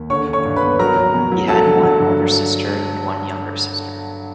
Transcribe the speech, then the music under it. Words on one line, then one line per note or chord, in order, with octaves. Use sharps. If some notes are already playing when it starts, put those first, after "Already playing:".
He had one elder sister and one younger sister.
Already playing: D#2
D3 C#5 C#6
D3
C#5 C#6
G2
B4 B5
B3
F#3 A#4 A#5
F#3
B2
F#3
F#3 A4 A5
D3
F#3
G2